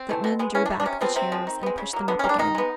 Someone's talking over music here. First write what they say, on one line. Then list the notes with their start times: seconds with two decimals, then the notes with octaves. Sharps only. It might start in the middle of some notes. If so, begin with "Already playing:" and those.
The footmen drew back the chairs and pushed them up again.
Already playing: C4
0.09 E3 A3
0.24 B2
0.39 G#3 B3
0.54 E3 C#4
0.66 D4
0.70 A3
0.80 D4
0.86 C3 C#4
1.01 F3 G#3 B3 C4
1.16 C3 C4
1.32 F3 G#3
1.47 D#3
1.63 G#3 B3
1.78 C#3
1.93 F#3 A#3
2.08 D3 B3
2.19 C#4
2.24 G3 A#3
2.29 D4
2.39 D#3 D#4
2.55 G#3 B3